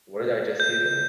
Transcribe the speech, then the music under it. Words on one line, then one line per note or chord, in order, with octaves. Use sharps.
What did I just see then?
G6